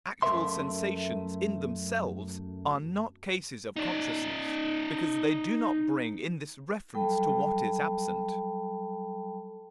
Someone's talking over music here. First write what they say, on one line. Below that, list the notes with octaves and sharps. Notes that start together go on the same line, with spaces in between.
Actual sensations, in themselves, are not cases of consciousness, because they do not bring in this reference to what is absent.
F#2 A3 A#4 C5 E5 C6
D#4 D5
F#3 G3 A4 G5 A5 B5